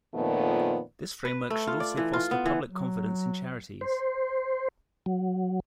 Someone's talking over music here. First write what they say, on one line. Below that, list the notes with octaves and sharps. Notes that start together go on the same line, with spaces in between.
This framework should also foster public confidence in charities.
F2 A#2 D#3 F3 A3 B3
B4
A3
F4
D5
E3
F4
B3
E3
F#3
C5
F#3